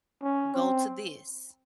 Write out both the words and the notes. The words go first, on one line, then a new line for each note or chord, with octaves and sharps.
"Go to this,
C#4
C4